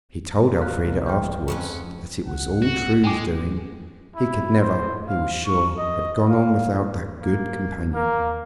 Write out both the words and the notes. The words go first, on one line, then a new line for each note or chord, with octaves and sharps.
He told Elfrida afterwards that it was all True's doing; he could never, he was sure, have gone on without that good companion.
F5 F6 F#6
C2 G#3 A#3
G5 F6 G6
F2 B3 C#4 C#6
C#2 F#5
F#4
G#3 G5 G#5 D6
E4
C5
F5
C#6
D#5
F5
A#3
A#3 A#4